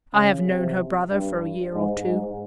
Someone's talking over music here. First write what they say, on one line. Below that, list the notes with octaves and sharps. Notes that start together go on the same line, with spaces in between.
I have known her brother for a year or two.
C#3
C3
G2
G#2
G#2